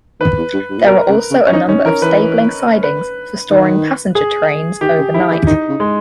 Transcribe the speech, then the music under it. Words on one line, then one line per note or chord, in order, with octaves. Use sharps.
There are also a number of stabling sidings for storing passenger trains overnight.
D#3 B4
E2
G2
G2
A#2
B2 A#4
C#3
C#3
C#4
E3 D#4
D#3 C#4
E3 A#4
E3 B4
B4
D#3
G#4
D#3 G4
C#3
D#3 E4
E3
D#3 D#4
C#3
G#3